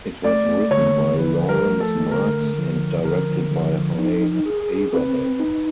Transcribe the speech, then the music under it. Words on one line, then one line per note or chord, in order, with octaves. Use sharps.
It was written by Laurence Marks and directed by Hy Averback.
A3 D5
D3 C#5
F3 B4
A#4
A3
A4
D3 A#4
F3
D3 A#4
F3
D#4
G#4
C4 B4
D#4